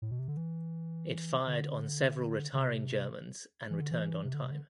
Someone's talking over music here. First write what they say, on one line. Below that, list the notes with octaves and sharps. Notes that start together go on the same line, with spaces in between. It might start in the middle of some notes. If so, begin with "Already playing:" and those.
It fired on several retiring Germans and returned on time.
A2
B2
C3
D3
E3
D3
D3
C3
E3
D3
E3
C3
D3
C3
D3